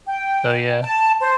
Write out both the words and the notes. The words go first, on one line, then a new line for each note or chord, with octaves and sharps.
So, yeah.
G5
A5
C5